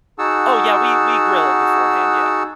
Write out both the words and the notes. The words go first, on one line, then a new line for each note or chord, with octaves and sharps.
Oh, yeah, we we grill it beforehand, yeah.
D#4 F#4 G#4 F#5 A5 E6